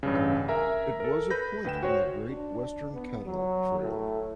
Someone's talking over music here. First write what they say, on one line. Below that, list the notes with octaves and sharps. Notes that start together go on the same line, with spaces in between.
It was a point on the Great Western Cattle Trail.
A1 G2 C#3
A#4 E5 G#5 A#5
A4 A#4
B4 B5 G6 A#6
D2 B4 G5 E7
F#4 C5 C#5
D4
B3
F#3
A2